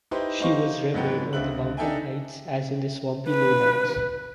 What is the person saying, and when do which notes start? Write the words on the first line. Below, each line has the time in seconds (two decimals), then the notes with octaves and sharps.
She was revered on the mountain heights as in the swampy lowlands.
0.11 D#4 E4 G4 B4 C5
0.40 D#4 G4 C5 D#5 F5 C#6
0.94 G#2 E3 F#3 B3 F#5 G5
1.33 C#2 D3 C4 E5 F#6 F#7
1.77 D4 D#4 A4 E5 G5 G#5
3.29 B4